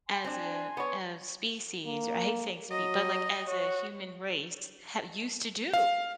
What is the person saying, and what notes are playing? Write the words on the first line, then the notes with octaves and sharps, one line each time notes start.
as a as species or I hate saying spe but, like, as a human race have used to do,
G#5 A5 C6
C4 D4
B3 C#5
A#3
F#3 D#5
F#4 C#5
F5